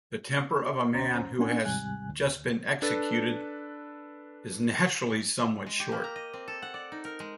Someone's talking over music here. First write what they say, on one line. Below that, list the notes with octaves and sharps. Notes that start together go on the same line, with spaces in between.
The temper of a man who has just been executed is naturally somewhat short.
D2 C#4 C5 A#5
A#3 B3 C#4 D4 F#5 G#5
D#2 G#2 C3 G3 G#5 F#6
D2
D4 A4 B4
G#3
G4
A#3
A#5
D#5
C4
A4
F#5
D5
D#4
A#4
G#3